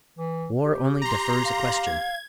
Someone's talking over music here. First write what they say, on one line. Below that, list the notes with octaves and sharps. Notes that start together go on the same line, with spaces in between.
War only defers a question.
E3
G4
A#5 C6
F5
G#6